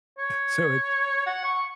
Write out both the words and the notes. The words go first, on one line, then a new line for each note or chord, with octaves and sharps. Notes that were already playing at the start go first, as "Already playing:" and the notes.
So it's,
C#5
F#5
C#6